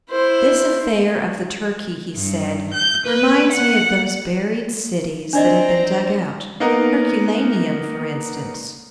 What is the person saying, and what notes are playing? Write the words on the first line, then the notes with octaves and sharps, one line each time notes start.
"This affair of the turkey," he said, "reminds me of those buried cities that have been dug out,--Herculaneum, for instance."
E4 C5
G2
G6
B4
F#5
C4 D4 D5 D#5 A#5
A#3 B3 D#4 A#4